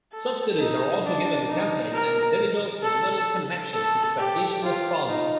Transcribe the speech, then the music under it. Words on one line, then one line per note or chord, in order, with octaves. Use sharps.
Subsidies are also given to companies and individuals with little connection to traditional farming.
A4
D#4
D4
D#4
A#4
A4
A4
G4
F4
D#4